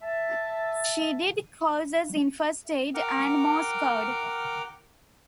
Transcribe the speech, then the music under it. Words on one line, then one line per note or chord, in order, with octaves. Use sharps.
She did courses in first aid and Morse code.
E5 A5
A#4 F#5 G5 D6 F6